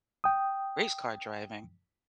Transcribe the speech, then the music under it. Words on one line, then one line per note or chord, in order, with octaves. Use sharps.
race car driving
G5 D#6